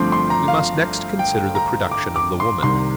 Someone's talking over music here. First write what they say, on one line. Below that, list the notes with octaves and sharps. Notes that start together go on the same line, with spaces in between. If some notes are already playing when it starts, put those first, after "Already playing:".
We must next consider the production of the woman.
Already playing: G1 G2 F3 A3 C4 C6 D6
C6
A#5
F5
G5
A#5
D6
D6
C6
C2 C3 D#3 C6